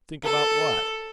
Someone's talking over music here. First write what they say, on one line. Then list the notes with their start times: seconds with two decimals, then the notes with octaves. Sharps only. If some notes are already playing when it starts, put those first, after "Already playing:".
"Think about what?"
0.24 A4